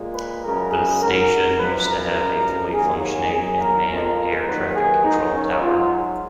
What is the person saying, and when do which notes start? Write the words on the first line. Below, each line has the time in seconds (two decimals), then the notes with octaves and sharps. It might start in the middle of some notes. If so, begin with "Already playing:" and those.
The station used to have a fully functioning and manned Air Traffic Control Tower.
Already playing: A#2 G#3
0.14 B4
0.43 F#2 C#3 G#3 A#4
0.72 G#4
1.01 G#2 F#3 A#4
1.58 F#2 F3 G#3 B4
1.88 A#4
2.16 F#2 F3 G#3
2.73 D#2 D#3 F#3 G#4
3.02 G#4
3.31 F#2 D#3 F#3 G#4
3.61 A#4
3.88 F2 F3 G#3
4.46 D#2 D#3 F#3 B4
4.75 G#4
5.04 G#2 D#3 F#3 D#4
5.33 C#4
5.61 G#2 F#3 F4